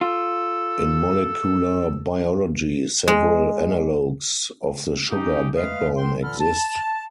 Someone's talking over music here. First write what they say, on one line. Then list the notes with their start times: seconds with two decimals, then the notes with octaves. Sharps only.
In molecular biology, several analogues of the sugar backbone exist.
0.01 F4 A4
3.08 G#3
5.10 C#4 D#4 G4
5.56 G#3 A3 B4 D#5 F5
5.96 B3 A#4 G5 C6
6.22 A#2 D3 E3 A4 B5 F6
6.40 A5